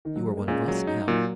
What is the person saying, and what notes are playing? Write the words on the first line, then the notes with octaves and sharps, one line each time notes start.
You are one of us now.
D#3
F#3
G#3
A#3
A#2 G#3 C#4
F#3
D#4
A#2 F#3 A#3